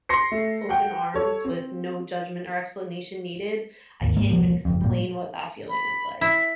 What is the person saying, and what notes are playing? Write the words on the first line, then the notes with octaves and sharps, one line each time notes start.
open arms with no judgment or explanation needed, I can't even explain what that feeling is like.
C6 A#6 C7 C#7
A3
F#5 G5
A4 C#5
C4
G#1 D#2
G#2 G#3 A#3
E1 C2 A#2 F3
F#1 F2
A#2 G3
B5
E4 B6